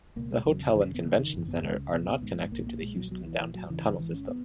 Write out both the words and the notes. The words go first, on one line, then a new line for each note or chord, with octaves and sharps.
The hotel and convention center are not connected to the Houston downtown tunnel system.
C#2 B2 A#3
G#3
E1 E2 C#3 F#3
E1 D#2 C#3 E3
C#4
B3
F#1 F#2 C#3 A#3
D#3
G#1 F#2 C#3 E3
B3
C#2 C#3 G#3
C#2 B2 B3
G#1 G#2
B1 A#2 A#3
A#3
B1 A#2 G#3
F#3
B1 B2 F#3
E3
A#1 A#2 E3
F#3
F#1 E2 C#3 E3
G#1 G#2 E3
C#4
B3